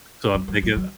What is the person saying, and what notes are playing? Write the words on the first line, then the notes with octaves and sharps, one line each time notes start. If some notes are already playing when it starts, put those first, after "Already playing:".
so I'm thinking
F#3
F#3
F#3
F#3